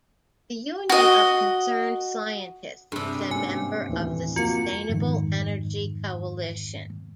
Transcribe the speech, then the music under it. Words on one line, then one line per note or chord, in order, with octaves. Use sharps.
The Union of Concerned Scientists is a member of the Sustainable Energy Coalition.
F#4 D#5
G2 C3 D4 G#4 A4
G#2 A#3 C#4 D4 G#5
D#2 A2 E3
F2 A#3 F4 F#4 C#7
F2 G#2 D#3